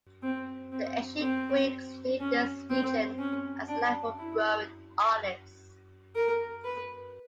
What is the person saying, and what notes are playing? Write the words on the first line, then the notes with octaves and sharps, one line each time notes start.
The ancient Greeks knew this region as a land for growing olives.
C4
C4
C4
C#4
C4
C#4
D4
E4
A#4
B4